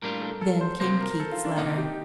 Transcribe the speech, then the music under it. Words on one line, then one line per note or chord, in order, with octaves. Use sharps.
Then came Keith's letter.
A2 G3 A#3 D4 F4 A#4
A4
A4
C5
C3 F3 A#3 C5
A#4
A#4
A4
F4
D4
C3 D#3 A#3 D#4
G4